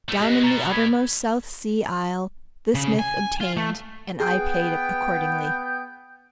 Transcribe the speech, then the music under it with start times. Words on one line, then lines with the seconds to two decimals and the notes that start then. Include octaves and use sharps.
Down in the uttermost South Sea isle this myth obtained, and I paid accordingly.
0.09 A#2 A3
0.21 G#3 F#4 G4 D#5 B6
0.43 B2 A#5 A6
0.71 B5 G#6 B6
2.75 C#3
2.99 G#5
3.41 F4
3.57 A3
4.20 B3 G#4 G5 G6